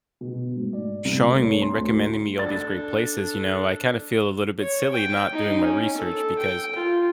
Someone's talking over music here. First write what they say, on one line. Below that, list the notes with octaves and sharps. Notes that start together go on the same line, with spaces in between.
showing me and recommending me all these great places, you know, I kinda feel a little bit silly not doing my research because
B2
G#2
D5
C2
A3
C#5
C6
D2
D4 A4 D5 A6
C#5
G5
D#4
C#4
A4
G5
F4